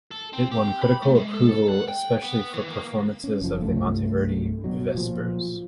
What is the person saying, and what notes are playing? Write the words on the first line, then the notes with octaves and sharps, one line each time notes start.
It won critical approval especially for performances of the Monteverdi Vespers.
A4
C4
G4
B5
A3
G#3
A4
F#5
G5
B3
E3
A#3
C#4
F#1 F3
C2 G2 A3
B2 F#3
A#2 F3